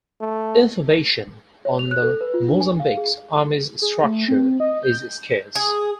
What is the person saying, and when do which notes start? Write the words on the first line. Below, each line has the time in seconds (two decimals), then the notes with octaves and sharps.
Information on the Mozambique Army's structure is scarce.
0.21 A3
1.65 C#5
1.79 F7
1.91 F#6
2.03 A4
2.21 B4
2.34 F4
2.48 D4
2.61 G#5
2.80 F5
2.97 G#4
3.82 G#4
4.03 A3
4.28 C4
4.60 D#5
4.83 G6
5.55 G#4